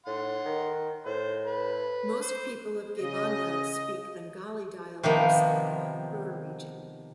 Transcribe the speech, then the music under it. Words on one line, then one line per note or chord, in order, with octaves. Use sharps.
Most people of Gaibandha speak Bengali Dialects of Rangpur Region.
A2 F#5 C6
D#3
A2 C5
B4
C5
C#3 D#5
C3 D#3 F3 A#3 B3